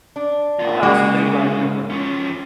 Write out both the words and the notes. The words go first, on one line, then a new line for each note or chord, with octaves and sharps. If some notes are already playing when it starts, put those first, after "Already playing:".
I also think, like, uh,
D4
A#3 F4
C#3 G#3 A#3 F#4
F3 C#4